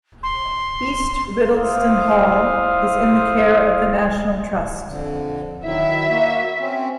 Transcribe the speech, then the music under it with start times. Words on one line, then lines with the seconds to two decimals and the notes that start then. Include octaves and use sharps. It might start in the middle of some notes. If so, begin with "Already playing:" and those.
East Riddlesden Hall is in the care of the National Trust.
0.23 C6
1.53 E4 F4 C5 F5 D#6
4.88 F2 D3
5.65 D#3 F#3 E4 E5
6.10 A#3 F#4
6.60 C4 C#4